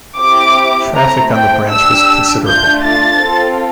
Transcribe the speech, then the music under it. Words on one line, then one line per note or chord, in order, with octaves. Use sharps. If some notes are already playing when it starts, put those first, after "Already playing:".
Traffic on the branch was considerable.
C4 E4 G4 D6
A3 C4 E4 A#5
G5
D4 G4 E6
A3 D4 F4 G6
A6
C4 F4 A4